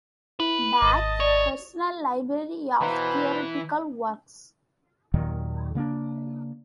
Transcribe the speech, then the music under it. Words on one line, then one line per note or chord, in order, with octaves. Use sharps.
Bach's personal library of theoretical works.
E4 B4
G#1 D#5 A5 D#6
C#5 D5
B2 E3 B4 C5 D#5 F5 A#5
D#2 A#2 D#3 F#3
C#3 A#3 B3 D4